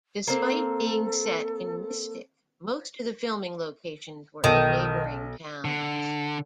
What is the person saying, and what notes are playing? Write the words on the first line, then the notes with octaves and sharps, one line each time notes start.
Despite being set in Mystic, most of the filming locations were in neighboring towns.
A#3 C4 A4
B1 D#3 A4
D3